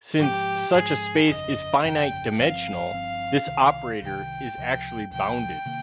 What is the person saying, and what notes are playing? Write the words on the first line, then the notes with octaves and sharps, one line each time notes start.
Since such a space is finite-dimensional, this operator is actually bounded.
G#2 F3 G#3 G4
G#2 F3 G#3 G#4
G1 F2 C#3 D#5
G1 F2 C#3 G5
G1 G2 F3 C4 F5
G1 G2 F3 C4
C2 C3 D#3
C2 C3 D#3 G5
C#2 C3 F3
C#2 C3 F3 G5
C3 D#3 A#3